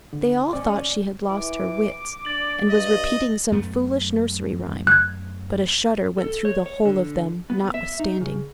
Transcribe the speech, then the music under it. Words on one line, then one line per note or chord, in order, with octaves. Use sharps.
They all thought she had lost her wits, and was repeating some foolish nursery rhyme; but a shudder went through the whole of them notwithstanding.
D3
C#4 D5
E3 D6
D4 A6 F#7
G2 D#5
F#2 A3 B3
F#6 G#6
A4
C#5
C#5
D3
B3
E5
D#4
C#3